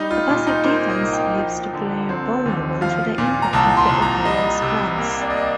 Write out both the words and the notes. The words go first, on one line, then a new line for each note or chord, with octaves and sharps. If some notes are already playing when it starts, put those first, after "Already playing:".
A passive defense leaves the player vulnerable to the impact of the opponent's plans.
Already playing: G3 D#4
F4
A#2
D#4
A#3 C5
D#5
C2
G5
F3
D3
C4
D#2
F3 F5
A#2
A#5
C2 A5
C6
C2
A#5
G3 D#5
C3
A#3
D5
D#5
D5